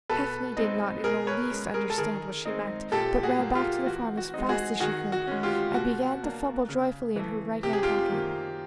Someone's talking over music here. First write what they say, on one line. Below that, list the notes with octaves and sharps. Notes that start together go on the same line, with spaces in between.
Tephany did not in the least understand what she meant, but ran back to the farm as fast as she could, and began to fumble joyfully in her right-hand pocket.
B2 A4 B4
G#3 C4 D#4
B2 G#4 A#4
B4 C#5
G#3 C#4
G#4 A#4
A4
D#3 G#4 A#4
G#3 C4 D#4
A#2 G4 A4
F#4 G#4
F#3 A#3
F4 G4
E3 F#4
F#4
G#3 C4 D#4
F#4 G#4
D#3 F#4 G#4
F#4
G#3 C#4
F4 G4
B2 F#4
F#3 A#3 D4
C#3
E3 A3
C3 G4
G#4
F4 G4
D#3 F#3 A#3